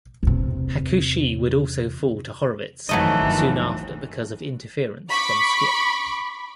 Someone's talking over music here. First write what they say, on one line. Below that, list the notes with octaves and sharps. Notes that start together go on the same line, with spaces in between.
Hakushi would also fall to Horowitz soon after because of interference from Skip.
E2 C3
G#1 F2 D#3 E3 F#3 A3 D#5
G1 D#2 F3
B5 C#6 D6